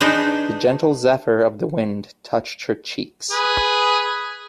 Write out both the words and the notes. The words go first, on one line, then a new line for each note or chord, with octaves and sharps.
The gentle zephyr of the wind touched her cheeks.
D4 D#4 G#4 B4 C5
G#4 B4